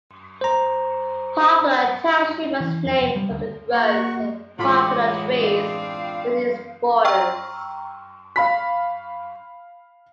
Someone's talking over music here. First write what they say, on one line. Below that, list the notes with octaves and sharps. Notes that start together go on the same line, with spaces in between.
Poplar Township was named from the groves of poplar trees within its borders.
C5 A#5
E3
F2
F1
G3
D2
A#3 F#4 C#6
A2 E3 F#3 G#3 F4 B5 D6
C4 D4 F5
G5 A#5 C#6 E6 F6
F5 B5 B6